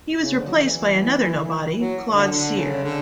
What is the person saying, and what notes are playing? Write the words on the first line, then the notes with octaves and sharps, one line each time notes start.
He was replaced by another nobody, Claude Cyr.
C#3
D3
F#3
E3
F#3
D3
D3
C#3
D3